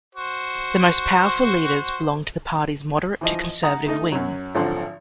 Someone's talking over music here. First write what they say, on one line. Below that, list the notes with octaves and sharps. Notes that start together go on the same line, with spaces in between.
The most powerful leaders belonged to the party's moderate-to-conservative wing.
F#4 C5
E3 F3 D#5
F#5 A#5 D#6
A3 D#4 D#5
F#2 F#3
G#1 D3 F3 F#3 F#5 C6